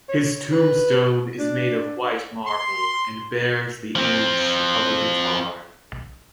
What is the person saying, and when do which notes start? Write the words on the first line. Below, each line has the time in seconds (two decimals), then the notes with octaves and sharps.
His tombstone is made of white marble and bears the image of a guitar.
0.09 C#5
0.52 B4
1.39 D4
2.45 C6
3.96 F3 C4